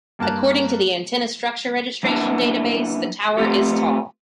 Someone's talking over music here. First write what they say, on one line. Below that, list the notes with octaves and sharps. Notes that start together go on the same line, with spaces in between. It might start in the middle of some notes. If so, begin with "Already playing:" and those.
According to the Antenna Structure Registration database, the tower is tall.
G2 A#3 A#4 A5 F#6
F#3 A#3 B3 D4 E4 A5
A3 B3 C4 F4 G4 A4